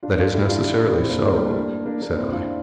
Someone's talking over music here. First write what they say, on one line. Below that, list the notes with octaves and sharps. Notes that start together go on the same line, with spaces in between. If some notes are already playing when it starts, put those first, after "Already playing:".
'That is necessarily so,' said I.
D4 F4
F4 A4
E4 G4
D4 F4
C4 E4
A#3 D4
A3 C4
G3 A#3
A#3 D4
A#3 D4
A#3 D4
C4 E4
D4 F4